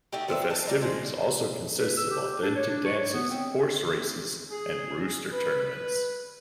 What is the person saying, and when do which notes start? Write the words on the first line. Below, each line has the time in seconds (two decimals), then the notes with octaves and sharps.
The festivities also consist of authentic dances, horse races, and rooster tournaments.
0.13 A3 D#4 F#4 G4
0.28 B3 C4 D4 E5
0.50 D#4 A5
0.67 G3 D4 D#4
0.81 F3 G#3
1.77 B4
1.97 E6
2.10 G4
2.22 G4
2.42 D4
2.55 C#5
2.69 D4
2.85 C#6
2.97 C#5
3.13 B3
3.30 C4
4.51 G#4
5.33 B4